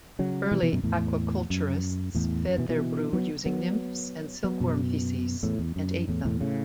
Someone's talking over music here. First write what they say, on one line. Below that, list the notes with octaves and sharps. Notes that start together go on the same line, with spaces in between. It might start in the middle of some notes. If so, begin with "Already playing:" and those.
Early aquaculturists fed their brood using nymphs and silkworm feces, and ate them.
C#3 F#3
B2 E3
B2 E3
F#2 B2
E2 A2
F#2
E2 A2
F#2
B2 E3
B2 E3
F#3 B3
F#3 B3
F#3 B3
F#2 B2
E2 A2
E2
F#2
E2 A2
E2 A2
A2 C#3